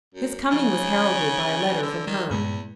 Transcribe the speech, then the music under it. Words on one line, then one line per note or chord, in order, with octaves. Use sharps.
His coming was heralded by a letter from her.
F#2
C#3 F3 D#4
D3 E6
D#3 G3
E2 G2 A#2 G#3